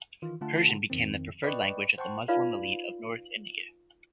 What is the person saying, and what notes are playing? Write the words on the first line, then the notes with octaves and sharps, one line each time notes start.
Persian became the preferred language of the Muslim elite of north India.
D#3 E3 F4
D3 A3 F4 F#5 A5
F2 D#3 C4
B4 D5 D#5 G5 B5 C#6
C5 F#5 G5 A5 C6 C#6
D#4 F4 B4 D5 F5